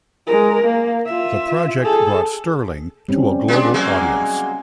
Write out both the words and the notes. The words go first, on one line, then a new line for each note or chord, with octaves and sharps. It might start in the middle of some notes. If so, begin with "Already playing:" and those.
The project brought Stirling to a global audience.
G#3 A#4
A#3
F4 E5
G#4 A4
G3 C4 C#4
G#3 D4
F#3 G#3 A#3